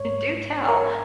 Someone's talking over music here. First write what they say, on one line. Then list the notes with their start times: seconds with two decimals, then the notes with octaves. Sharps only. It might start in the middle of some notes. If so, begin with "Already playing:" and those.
Do tell.
Already playing: G#2 C#5
0.68 A#4 C#5